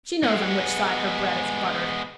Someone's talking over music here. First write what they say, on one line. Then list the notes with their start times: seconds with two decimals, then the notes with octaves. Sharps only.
She knows on which side her bread is buttered.
0.23 G#3 B3